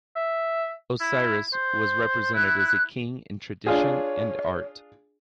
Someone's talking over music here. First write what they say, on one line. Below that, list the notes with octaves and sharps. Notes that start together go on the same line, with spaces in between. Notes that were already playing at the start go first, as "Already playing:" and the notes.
Osiris was represented as a king in tradition and art.
E5
E4
C5
E4 F#6
D4 F4 G#4 C#5